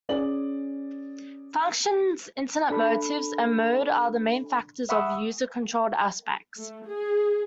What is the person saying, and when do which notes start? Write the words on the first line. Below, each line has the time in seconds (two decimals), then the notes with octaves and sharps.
Functions, Internet motives and mode are the main factors of user controlled aspects.
0.09 C#4 G#4 D5 F#7
2.70 D4 A4 B5
4.89 E5 F#5 B5 C#6 D#6 E6
6.57 A3
6.86 G#4